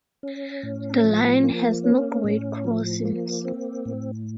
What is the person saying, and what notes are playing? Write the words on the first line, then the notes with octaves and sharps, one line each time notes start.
The line has no grade crossings.
C#4
A2
F3
A#3
C#4
A2
F3
A#3
C4
A2